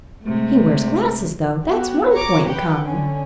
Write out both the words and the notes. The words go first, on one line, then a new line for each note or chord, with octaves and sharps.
He wears glasses, though; that's one point in common.
C3 G#3 A3
B3 F#4 G4
C#5 A#5 C#6 D6
G4 B4 F#5 G5
D3 C#4